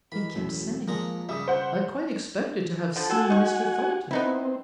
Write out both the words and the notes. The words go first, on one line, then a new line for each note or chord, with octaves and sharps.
He kept saying, 'I quite expected to have seen Mr. Thornton.
E3 A#4 D#5 B5
E1 F#2 A2
A#2 F3 G#3 A#5
C#3 G3 E5 D#6 B6
C5 F#5
D3 F3
F4 F#4 A4 F#5 G#5
D#4 C#6
B3 C4 D#4 E4